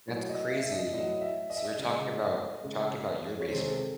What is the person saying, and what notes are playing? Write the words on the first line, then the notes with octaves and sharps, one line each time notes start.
That's crazy. So you're talking about you're talking about your basement?
A2 F#3 C#5
D#5
E5
E5
D#5
A2 F#3 D#5
E5
D#5
E5
D#5
C#3 G#3 D#5
C#3 G#3
C#5
C3 D#3 G#3 C5
G#4
A4